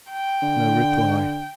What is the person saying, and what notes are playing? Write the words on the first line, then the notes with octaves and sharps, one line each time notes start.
No reply.
G5
D3